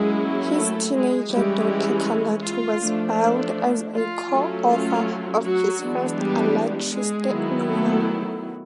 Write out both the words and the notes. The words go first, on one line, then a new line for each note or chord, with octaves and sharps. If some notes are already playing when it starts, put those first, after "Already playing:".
His teenage daughter Carlota was billed as a co-author of his first Alatriste novel.
Already playing: F#3 G#3 A#3 C#4 E4 G#4
A3 A4
G#3 G#4
E3 G3 G#3 C#4 E4 G4
F4
F3 A3 D4
F4
F#3 A3 C#4
F4
F#3 F#4
E3 G#3 B3 D4
G3 G4
G#3 G#4
D#3 F#3 B3 E4
A3 A4